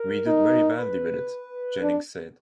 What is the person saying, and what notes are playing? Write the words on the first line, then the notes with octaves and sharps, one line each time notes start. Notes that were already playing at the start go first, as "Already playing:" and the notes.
"We did very badly with it," Jennings said.
Already playing: A#4
D#4
B4
D4